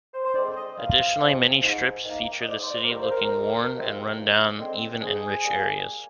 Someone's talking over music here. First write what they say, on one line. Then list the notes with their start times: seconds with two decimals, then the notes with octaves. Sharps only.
Additionally many strips feature the city looking worn and run-down even in "rich" areas.
0.13 C5
0.24 C5
0.34 D3 G#3 C4 D5
0.55 D#5
0.77 G2 F5
1.19 F3 G#3 C4
1.62 G#2
2.04 D#3 A#3
2.40 D#5
2.47 G#2 D5
2.62 C5
2.68 D5
2.84 A#4
2.89 D#3 G3 A#3 C5
3.02 C5
3.10 A#4
3.31 D2
3.73 C3 F3 G#3 C4
4.16 D#2
4.58 D3 G#3 C4
5.01 G#2 G#4
5.43 G3 A#3